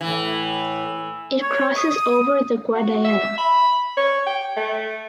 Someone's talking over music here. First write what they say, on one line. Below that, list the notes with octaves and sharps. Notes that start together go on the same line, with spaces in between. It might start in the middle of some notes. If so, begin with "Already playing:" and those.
It crosses over the Guadiana.
A2 E3
C#5
D#6
F#4
E5
B5
C#5
G5
A3